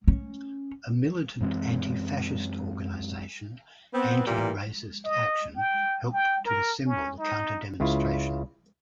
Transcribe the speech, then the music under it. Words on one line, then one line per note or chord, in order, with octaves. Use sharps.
A militant anti-fascist organization Anti-Racist Action helped to assemble the counter-demonstration.
C#4
F#2 E3 G#3 C4
B3 C4
A#2 E3 G3 F4 A#4
D#5
G5
G5
A#4
C#4
D#4
C#2 C#3 E4 F4